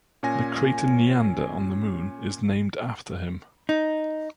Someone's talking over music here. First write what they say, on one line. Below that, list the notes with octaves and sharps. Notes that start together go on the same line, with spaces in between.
The crater Neander on the Moon is named after him.
A#2 C#4 G#5 A#6
D#4